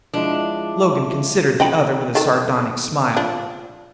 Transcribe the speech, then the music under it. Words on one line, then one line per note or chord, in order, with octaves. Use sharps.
Logan considered the other with a sardonic smile.
F3 G#3 D4 E4
D#5 G5 B5
D#3 A4
F3 D4